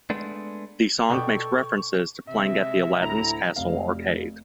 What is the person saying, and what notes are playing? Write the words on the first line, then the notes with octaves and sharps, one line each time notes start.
The song makes references to playing at the Aladdin's Castle arcade.
G#3 A3 B3 D4
B2 A4 D5 G5 C#6
C3 G#3 E5
D2 A2 E4 A#5
F1 F5